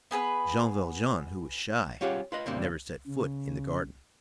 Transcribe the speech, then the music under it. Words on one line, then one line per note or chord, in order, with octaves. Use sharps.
Jean Valjean, who was shy, never set foot in the garden.
B3 G#4 A4 B4
G3 C#4 F4 G4 G#4 F#5
F4 B4 D#5
D2 G2 B2 G3 A#3 C4
C#3